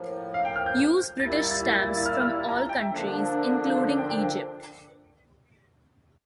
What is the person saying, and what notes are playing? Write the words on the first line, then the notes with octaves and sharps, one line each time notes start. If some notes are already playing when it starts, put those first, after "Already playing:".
Use British stamps from all countries, including Egypt.
Already playing: A2 F3 A#3
F5
G5
F6
G6
A#2 G3 A#3 E4 A6
A6
A6
A6
A6
A6
F6
E6
F6
A#5
G5
E5
D3 F3 A#3 D4
C5
D5
G5
G5